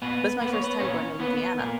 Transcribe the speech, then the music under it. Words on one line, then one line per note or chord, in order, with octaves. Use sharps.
That's my first time going to Louisiana.
A#2 B3 B4
A#3 B4
C#5
B3 B4
A#2 C#4 C#5
A#3 B3 B4
A#2 A#3 A#4